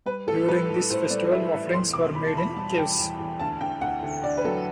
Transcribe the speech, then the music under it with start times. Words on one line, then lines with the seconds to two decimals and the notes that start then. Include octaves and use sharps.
During this festival, offerings were made in caves.
0.06 G3 B4
0.27 A2 A4
0.48 G3 B4
0.69 A2
0.90 A2 C5
1.10 G3 D5
1.31 E3 E5
1.53 A2 E5
1.74 E2 C6
1.93 B2 D6
2.15 E2 B5
2.26 A5
2.35 E2 B5
2.56 G3 A5
2.70 A5
2.77 E2 G5
2.99 E2
3.19 E2
3.40 D2 A5
3.61 D2 G5
3.81 D2 F#5
4.03 D3
4.23 D3 D5
4.37 B4
4.44 F#3 A4